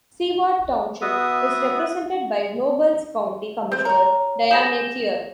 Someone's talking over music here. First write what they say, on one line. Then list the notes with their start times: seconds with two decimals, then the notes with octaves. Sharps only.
Seward Township is represented by Nobles County Commissioner Diane Thier.
1.01 B3 F#4 E5 D#6
3.72 C4 C5
3.85 F#4 A#4 C#5 A#5
4.51 G4 G#4 C5 A#6 E7